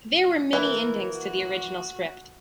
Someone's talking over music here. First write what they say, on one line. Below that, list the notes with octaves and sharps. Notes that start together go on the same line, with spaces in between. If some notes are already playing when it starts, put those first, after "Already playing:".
There were many endings to the original script.
E3 A#3 A#4
F#4